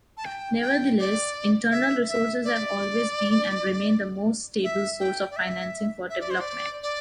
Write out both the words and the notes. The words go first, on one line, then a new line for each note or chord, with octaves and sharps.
Nevertheless, internal resources have always been and remain the most stable source of financing for development.
A5
G5
G5
D5
E5
E5
D5
E5
G5
D5
E5
E5
D5
C5
D5
D5